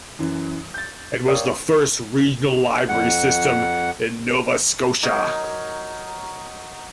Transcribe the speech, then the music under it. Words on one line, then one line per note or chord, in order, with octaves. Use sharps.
It was the first regional library system in Nova Scotia.
F#2 E3
G6 A6
A#4 C#5 D5 F5 G5 D#6
F2 F#5
F#3 D#4 A#4 C#5